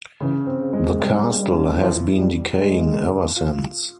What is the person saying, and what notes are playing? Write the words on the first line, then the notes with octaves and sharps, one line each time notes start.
The Castle has been decaying ever since.
C#3 E3
C4
C#3
G#3
C3 G3
G#3
G3
C#4
F3 E4
G3
G#3
F4